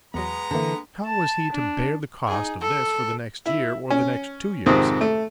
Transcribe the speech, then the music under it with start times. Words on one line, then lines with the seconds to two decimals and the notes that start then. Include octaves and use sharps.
But how was he to bear the cost of this for the next year, or the next two years?
0.14 E2 F#3 G#3 B3 A#5
0.51 D3 E3 A#3 A5
1.06 A5
1.53 D4
2.27 D#4 G#4
2.61 A4
3.46 E4
3.90 C#4
4.66 F2 G#2 C3 D#3 C4
5.01 A3